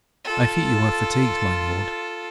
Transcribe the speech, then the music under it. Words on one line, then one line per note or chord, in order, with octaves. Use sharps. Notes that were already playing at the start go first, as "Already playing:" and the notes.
'I fear you are fatigued, my lord.
F4 A4